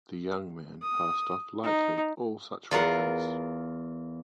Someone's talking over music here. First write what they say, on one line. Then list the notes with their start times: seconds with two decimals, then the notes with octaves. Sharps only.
The young man passed off lightly all such reference.
0.82 D#6
1.63 D#4
2.71 E2 F4 A#4 F#5